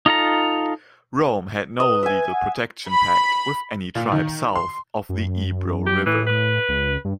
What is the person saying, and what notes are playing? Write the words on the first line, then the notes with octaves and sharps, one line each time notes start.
Rome had no legal protection pact with any tribe south of the Ebro River.
D#4 F4 A4 A#5
B4 D#5
E5 G#5
F#5
B5
A#2
D#3
C6
F#2
G4
A2 E3
B4
C#2
G2